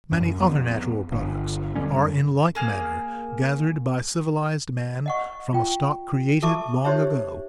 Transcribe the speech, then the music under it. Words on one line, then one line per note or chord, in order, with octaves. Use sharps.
Many other natural products are in like manner gathered by civilized man from a stock created long ago.
F#2
F2 B3
G1
D#1 D3 G3 C#4
F#2
A#3 G#4 F6
D#5 F#5 C#6
F4 G5
F#4 A4 E5 A5 C#6 D6
D#4 G4 C5 C#5 E5